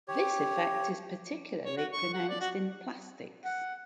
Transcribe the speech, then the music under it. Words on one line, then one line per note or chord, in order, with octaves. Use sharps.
This effect is particularly pronounced in plastics.
G4 C#5
C#5
F#4
C#6
F#5
D5
F#4
F#5